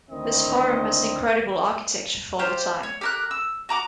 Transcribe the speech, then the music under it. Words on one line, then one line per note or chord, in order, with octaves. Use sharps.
This forum has incredible architecture for the time.
D2 D#3 C4 D4 E4 D#5
F4 G4 C5
C#5
G4 A#4 F#6
E6
F#4 A#5 D6